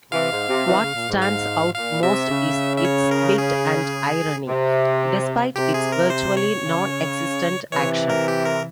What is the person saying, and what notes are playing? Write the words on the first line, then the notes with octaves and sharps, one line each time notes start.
What stands out most is its wit and irony, despite its virtually nonexistent action.
C3 E3 F5
G#2
C3
C3 E3
C#3
A#2
G#2
F5
A#2 F5
C3 E5
C#3
E5
C#5
A#4
G#4
C3
C3 G4
G#4
A#4
C5
C#5
C#3
C3 E3 C#5
A#4
G4
A#4